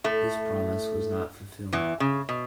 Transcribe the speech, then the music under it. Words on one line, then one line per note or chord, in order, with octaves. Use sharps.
This promise was not fulfilled.
A2 A3
E2 E3
C#3
B2